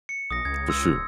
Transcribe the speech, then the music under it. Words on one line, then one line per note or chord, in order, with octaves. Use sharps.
For sure.
C#7
B1 D#6 A#6
C#2 G#6
C6 E6 G#6
D1